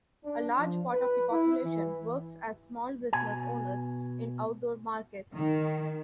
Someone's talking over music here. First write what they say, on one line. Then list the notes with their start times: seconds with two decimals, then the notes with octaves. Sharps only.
A large part of the population works as small business owners in outdoor markets.
0.25 D4
0.60 F3
0.93 B4
1.32 E4
1.64 E3
3.13 B2 G#5
5.34 D#3